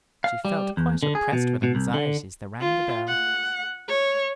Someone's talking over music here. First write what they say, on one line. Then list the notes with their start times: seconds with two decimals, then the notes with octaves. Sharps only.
She felt quite oppressed with anxiety as they rang the bell.
0.24 F5
0.45 G3
0.77 E2
1.03 D3
1.15 G#4
1.33 B2
1.63 B2
1.75 C2
1.94 D3
2.61 F4
3.08 F#5
3.88 C#5